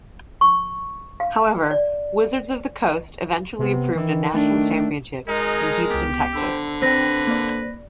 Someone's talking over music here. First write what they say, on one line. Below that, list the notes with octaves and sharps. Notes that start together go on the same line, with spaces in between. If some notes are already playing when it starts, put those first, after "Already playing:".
However, Wizards of the Coast eventually approved a national championship in Houston, Texas.
C#6
F5
D5
C3 B3
D#3 E3
A3 D4
G#3 D#4 G#4 A#4
C#2 B3 G4
D3 C5 B5 E6
C4 D4 B4 C5 G5 A#6
A#3 D5